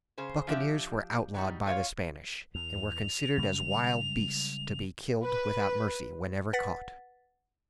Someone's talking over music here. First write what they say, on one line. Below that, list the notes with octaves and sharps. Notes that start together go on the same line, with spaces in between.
Buccaneers were outlawed by the Spanish, and were considered as wild beasts to be killed without mercy wherever caught.
C#3 G#4 C5
F3 D4 G4 E5
F#3 G3 D#4
F4 C#5 D#5 F5
E2 F7
C#3 G3 G#3
B4
B4 F#5 A6 B6